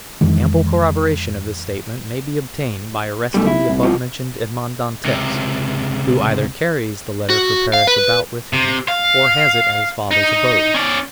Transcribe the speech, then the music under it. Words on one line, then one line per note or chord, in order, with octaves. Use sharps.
Ample corroboration of this statement may be obtained by arresting the above-mentioned Edmond Dantes, who either carries the letter for Paris about with him, or has it at his father's abode.
F2 D#3 E3 G#3
B1 G3 A3
E4
C2
B2 F3
C#2 C3
F#4
F5
B4
C3
F5
D#4
C#4 D5